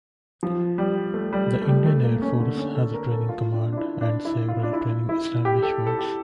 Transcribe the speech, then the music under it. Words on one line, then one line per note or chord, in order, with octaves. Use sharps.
The Indian Air Force has a Training Command and several training establishments.
F3
G3
A3
G3
A3
G3
A3
A#3
C#4
D3
C#4
A4
A#4
A4
F4
D4
D4
E4
D4
E4
F4
D4
E4
E4
G4
A4
A4
G4